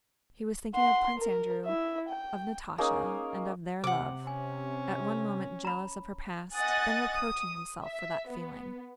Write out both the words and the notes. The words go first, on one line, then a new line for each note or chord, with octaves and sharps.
He was thinking of Prince Andrew, of Natasha, and of their love, at one moment jealous of her past, then reproaching himself for that feeling.
F#5 C6
A#4
E4 E5
G5
A#3 C#4 D#4 G#4
C3 C5 F#5 D6
C#4 G#5
A#5 B5
D#5 F#5 G#5 D#6 F#6 A6
D#6
E5
B3